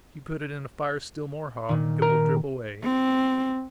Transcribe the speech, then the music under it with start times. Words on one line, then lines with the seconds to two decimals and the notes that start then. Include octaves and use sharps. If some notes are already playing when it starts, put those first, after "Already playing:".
If you put it in a fire still more hot it will drip away.
1.69 A#2 D#3
2.02 A#4
2.83 C4